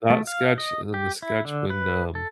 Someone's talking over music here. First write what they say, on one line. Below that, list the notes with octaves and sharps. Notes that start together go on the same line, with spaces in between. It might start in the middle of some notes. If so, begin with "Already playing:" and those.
That sketch and then the sketch when, um,
A3
F5
D#5
G4
E4
D3
B4
A4